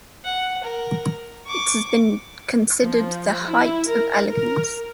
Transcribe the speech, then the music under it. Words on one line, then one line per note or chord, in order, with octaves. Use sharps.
It has been considered the height of elegance.
F#5
A#4
C#6 D6
F3
E4
A#4
A#4